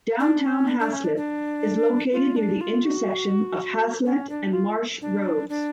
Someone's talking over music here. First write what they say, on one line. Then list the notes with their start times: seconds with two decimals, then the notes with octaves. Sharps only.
Downtown Haslett is located near the intersection of Haslett and Marsh roads.
0.20 D4
0.44 C#4
0.68 D4
0.80 D4
0.93 C#4
1.04 D4
1.17 D4
2.12 F4
2.36 D4
2.61 F4
2.85 F#4
4.05 C#4
4.29 D4
4.53 F4
5.02 D4
5.49 D4